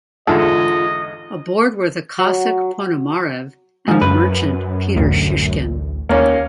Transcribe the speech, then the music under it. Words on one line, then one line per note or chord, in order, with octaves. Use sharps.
Aboard were the Cossack Ponomarev and the merchant Peter Shishkin.
E2 G#2 D3 F4 G#4 A4 D#5
F#3
G#2 F3
F#2 B4
A1 D2
D#2 A#3 C#4